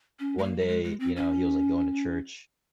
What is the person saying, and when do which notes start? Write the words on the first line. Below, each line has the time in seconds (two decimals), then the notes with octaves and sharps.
one day, you know, he was, like, going to church
0.19 C#4
0.38 G#3
0.44 A#3
0.60 G3
0.68 G#3
0.84 G#3
1.00 C4
1.16 C#4